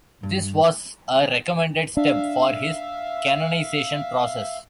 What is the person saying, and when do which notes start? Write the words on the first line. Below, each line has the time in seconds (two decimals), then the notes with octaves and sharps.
This was a recommended step for his canonization process.
0.23 G2
1.97 D4 E5 F5